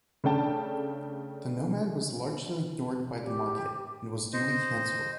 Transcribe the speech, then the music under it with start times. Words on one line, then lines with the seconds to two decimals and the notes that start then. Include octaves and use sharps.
The Nomad was largely ignored by the market, and was duly cancelled.
0.24 C#3 A3 D4 G5 A5
3.22 G4
4.33 C5 D#5